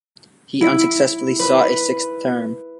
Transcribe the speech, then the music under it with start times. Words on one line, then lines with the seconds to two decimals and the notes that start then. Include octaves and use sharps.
He unsuccessfully sought a sixth term.
0.61 E4
1.39 B4